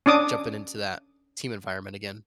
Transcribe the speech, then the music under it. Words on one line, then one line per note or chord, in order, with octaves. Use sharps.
jumping into that team environment again.
C#4 D4 D6 D#6